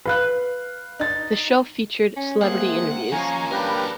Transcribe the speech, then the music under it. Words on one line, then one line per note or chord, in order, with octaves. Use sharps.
The show featured celebrity interviews.
B4 F5 F#6
D#4 A6
C#4
C3 A3 A#3 G#4 F#5
D#2 F3 C#4 F5 G#5 A#5 C#6
F#2 A#3 D4 G4 A#4 B4 A5